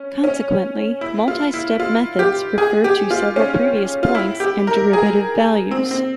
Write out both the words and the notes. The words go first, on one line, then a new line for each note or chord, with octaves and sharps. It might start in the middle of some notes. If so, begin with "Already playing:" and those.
Consequently, multistep methods refer to several previous points and derivative values.
Already playing: C#4
C#4
E4
F4
E4
F4
G4
G#4
G4
F4
C#4
F4
E4
G4
A#4
G#4
C4
C4